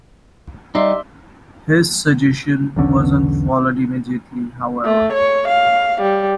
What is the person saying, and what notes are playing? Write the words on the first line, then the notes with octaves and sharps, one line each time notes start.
His suggestion wasn't followed immediately, however.
G3 D#4 D5 E5 C6
B1 E2 D3 C#4
A3
C#5
F5
G3